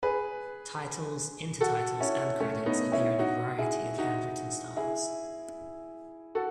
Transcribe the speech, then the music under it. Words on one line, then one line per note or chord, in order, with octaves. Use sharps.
Titles, intertitles and credits appear in a variety of handwritten styles.
G#4 B4
F#4 A4
C#4 E4
A3 C#4
B3 D#4
C#4 E4
D#4 F#4
E4 G#4
D#4 F#4
E4 G#4
F#4 A4